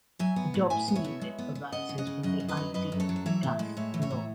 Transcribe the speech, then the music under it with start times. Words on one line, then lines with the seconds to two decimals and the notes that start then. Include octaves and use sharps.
The Dobson Unit arises from the ideal gas law.
0.19 F#3 E5 G#5
0.36 B3
0.54 A2
0.70 A2 E5 G#5
0.88 B3
0.96 C#5 E5
1.05 A2
1.21 G#3
1.39 B3
1.55 B3
1.72 C#3 D#5 F#5
1.89 C#3
1.98 D#5 F#5
2.07 C#3
2.23 F#2 D#5 F#5
2.40 F#2
2.48 B4 D#5
2.57 F#3
2.74 F#2 B4 D#5
2.92 F#2
3.00 A4 C#5
3.09 F#3
3.16 F#5
3.26 E3 C#5 E5
3.43 A2
3.59 G#3
3.77 A2 C#5 E5
3.94 E3
4.02 C#5 E5
4.11 A2